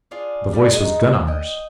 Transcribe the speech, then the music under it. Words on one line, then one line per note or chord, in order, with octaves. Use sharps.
The voice was Gunnar's.
D4 F4 G#4
G3 D5
G#3 B3 D#4
D#5 G5